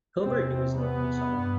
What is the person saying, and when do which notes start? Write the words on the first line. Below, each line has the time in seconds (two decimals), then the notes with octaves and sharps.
Hilbert knew his luck when he saw it.
0.22 E2 C3 C4
0.74 B3
1.26 G2